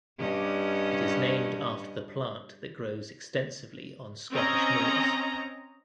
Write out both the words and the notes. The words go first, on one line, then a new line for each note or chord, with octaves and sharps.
It is named after the plant that grows extensively on Scottish moors.
G2 C#4 D#5
C4 C#4 D#5 A#5